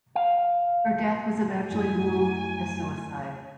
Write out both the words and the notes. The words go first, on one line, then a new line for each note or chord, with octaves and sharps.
Her death was eventually ruled a suicide.
F5
F#2 A3 E4 G#5